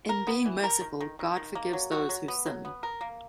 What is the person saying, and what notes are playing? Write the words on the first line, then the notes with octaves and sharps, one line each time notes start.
In being merciful, God forgives those who sin.
A#4
B3
E3
A#4
D#3
D#3
D#3
D#3
A#3
F#3
F#4
F#3
B3
F#3
B3
A#4
A#3